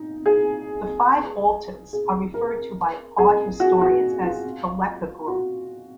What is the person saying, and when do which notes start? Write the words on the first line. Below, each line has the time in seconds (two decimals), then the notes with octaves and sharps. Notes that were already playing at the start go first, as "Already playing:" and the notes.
The five altars are referred to by art historians as the "Leka group".
Already playing: D#4
0.26 G#4
1.93 G#4
2.34 A#4
3.18 G#4
3.60 F#4
3.81 F#4
4.23 F4
5.28 F#4